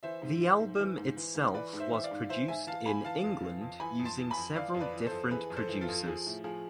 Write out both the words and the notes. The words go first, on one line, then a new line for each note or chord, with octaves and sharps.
The album itself was produced in England using several different producers.
E3 C5 E5
G#2
E3
G#2
E3
G#2
E3
G#2
E3 B4 D5
G#2
C5 E5
E3 E5
D5 F5
G#2
E3 C5 E5
G#2 E5 G#5
E3 F5 A5
G#2 G#5 B5
E3 F5 A5
F2
E3
F2
E3 G#5 B5
F2
A5 C6
E3
G#5 B5
F2
E3 D5 F5
F2
B4 D5
E3
A4 C5
F2
E3 G#4 B4
F2
A4 C5
E3
F4 A4
F2
F3 G#4
A2
F3 G#4